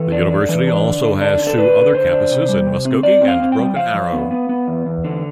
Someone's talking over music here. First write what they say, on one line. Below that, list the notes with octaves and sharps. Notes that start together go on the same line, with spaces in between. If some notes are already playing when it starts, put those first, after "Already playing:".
The university also has two other campuses in Muskogee and Broken Arrow.
Already playing: E3 A4
D4
D4
E3
D4
D3
D3
D4
D3
A4
D4 B4
D3
D3 C5
D4
C3
G3
C3
C4
C4 D5
C4
F5
C4
G5
G3
F3 F5
F3
B3
B3
B3
E2
E2
D3